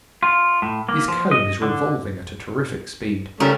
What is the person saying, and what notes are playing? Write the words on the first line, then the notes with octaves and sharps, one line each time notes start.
This cone is revolving at a terrific speed.
F4
A2
A#3
F3
D#5
D3
C#3 G3 A3 C#4 A#4